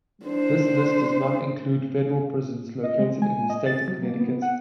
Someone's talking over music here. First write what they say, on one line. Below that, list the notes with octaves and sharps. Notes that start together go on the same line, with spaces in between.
This list does not include federal prisons located in the state of Connecticut.
D4 C5
D#5
G#3
G#5
D#5
A6
F#3
A#3
B3
F#5